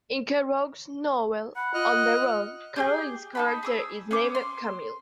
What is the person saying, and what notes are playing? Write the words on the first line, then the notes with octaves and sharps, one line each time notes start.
In Kerouac's novel "On the Road" Carolyn's character is named "Camille".
F#5 B5
F4 D#5 F6 F#6
G4 G#4 G5
D#4 A5 B5
G#4 D6 E6
C#4 C5 D6
C6